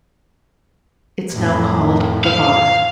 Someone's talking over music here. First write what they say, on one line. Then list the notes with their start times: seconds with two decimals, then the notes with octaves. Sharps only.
It's now called The Bar.
1.33 F2 A2
2.24 F5